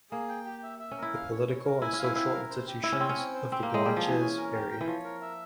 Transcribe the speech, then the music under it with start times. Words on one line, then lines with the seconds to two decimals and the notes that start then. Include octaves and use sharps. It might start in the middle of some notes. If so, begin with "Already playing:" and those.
The political and social institutions of the Guanches varied.
0.11 A#3 G#4
0.29 G5
0.45 G4
0.63 E5
0.79 E5
0.91 C#4
0.97 A#4
1.02 E4
1.14 F5
1.31 C#5
1.48 C#5
1.65 A#4
1.81 E4 G#5
1.93 C#4
1.99 F5
2.04 E4
2.15 C4 E4
2.33 A#4
2.50 C5
2.67 G4
2.83 E4 E5
2.92 C#4
3.00 C4 C#5
3.09 C#4
3.18 C4
3.34 C5
3.51 C4 G4
3.63 A#3
3.69 G5
3.74 G#3
3.85 G3 G#4
3.96 F3
4.03 G#5
4.08 E3
4.20 C#4
4.37 A#4
4.54 G4
4.70 G5
4.81 E3
4.87 F3 C#5
5.04 A#4
5.21 E5